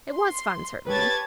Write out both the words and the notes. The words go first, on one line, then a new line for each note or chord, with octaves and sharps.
It was fun, certainly.
C6
G4 B4 C#5 A5 G#6 A6